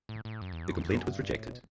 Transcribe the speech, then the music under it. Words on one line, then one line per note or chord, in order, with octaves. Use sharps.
The complaint was rejected.
A2
A2
F#2
E2
F#2
E2
F#2
G2
A2
B2